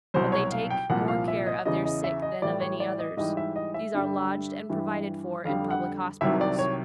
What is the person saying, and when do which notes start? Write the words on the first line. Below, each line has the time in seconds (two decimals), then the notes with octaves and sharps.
But they take more care of their sick than of any others; these are lodged and provided for in public hospitals.
0.14 C2 B2 F#3 C5
0.32 C#5
0.52 F5
0.71 G5
0.89 C2 A#2 F3 F#5
1.08 F5
1.28 E5
1.46 D#5
1.65 E2 C#3 E3 D#5
1.85 D#5
2.04 E5
2.22 D#5
2.42 A2 E3 G3 D5
2.60 C#5
2.80 D5
2.99 D#5
3.17 G#2 E3 G3 D#5
3.37 E5
3.56 D#5
3.74 E5
3.94 G2 D3 G3
4.69 G2 E3 G3
5.45 F2 D3 G3 F5
5.71 F#5
6.21 C2 C3 D#3 F#3 E5
6.41 D5
6.59 C#5